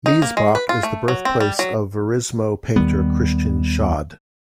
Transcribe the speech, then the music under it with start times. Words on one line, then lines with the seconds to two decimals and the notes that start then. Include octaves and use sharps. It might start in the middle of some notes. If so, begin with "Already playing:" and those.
Miesbach is the birthplace of Verismo painter Christian Schad.
0.06 D#4
0.22 A#3
0.37 G#3
0.55 B4
0.69 F4
0.83 A3
1.08 F#3
1.25 C4
1.40 G3
1.59 F#3
2.76 D#2 D#3 G3 B3